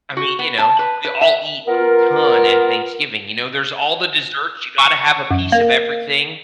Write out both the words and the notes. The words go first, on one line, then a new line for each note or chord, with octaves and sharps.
I mean, you know, we all eat a ton at Thanksgiving. You know, there's all the desserts. You gotta have a piece of everything.
F#4
B3
A5
B4
B4
E5
B3 F4 A#4
C#6
F#2
A#3